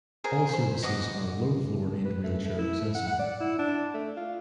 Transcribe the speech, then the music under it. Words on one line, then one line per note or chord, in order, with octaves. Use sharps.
All services are low floor and wheelchair accessible.
G#4 A#4 C5 G#5
C5 B5
D#5 F#5 D6 D#6
B4
A3
A3
E4
A3
F#5
F#5
D5
E4
D4
A3
F4